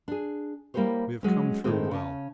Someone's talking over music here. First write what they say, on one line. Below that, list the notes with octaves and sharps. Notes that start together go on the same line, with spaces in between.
We have come through well.
D4 G#4
G3 A#3 E4 G4 C5 C#5
F#3 G#3 C#4
A2 D#3 E3 G#3 C4
C#3 C#4 A5